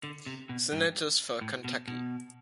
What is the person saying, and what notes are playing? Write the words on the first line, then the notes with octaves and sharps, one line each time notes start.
Senators for Kentucky.
D3
C3
B2
G2
A2
B2
B2